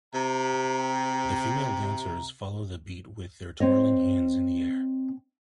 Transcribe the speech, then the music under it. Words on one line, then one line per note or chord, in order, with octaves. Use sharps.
The female dancers follow the beat with their twirling hands in the air.
C3 A#5
C4 C#5 D#5